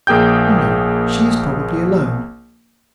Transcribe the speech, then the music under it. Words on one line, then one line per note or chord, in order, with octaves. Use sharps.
"Oh, no; she is probably alone."
A#1 A#3 G#4 G5 G6